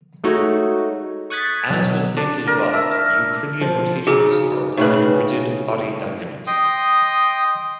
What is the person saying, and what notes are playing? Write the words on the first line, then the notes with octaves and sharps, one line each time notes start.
As was stated above, Euclidean rotations are applied to rigid body dynamics.
G#3 A3 D#4 F#4 C#5
C#6 D#6 F#6 G#6 A6 B6
B2 F#3
D4
A#4
E5
F3
C#3 D#4 F#4 G#4
A2 C#3 D#4 G#4 B4
D#5 G5 C6 D#6